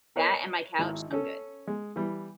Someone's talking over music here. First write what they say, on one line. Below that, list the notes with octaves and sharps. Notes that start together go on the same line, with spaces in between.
That and my couch, I'm good.
A#4 B4 C#5 D#5
G#1 D#4 E4
C#4 A4
G#3
E3 G3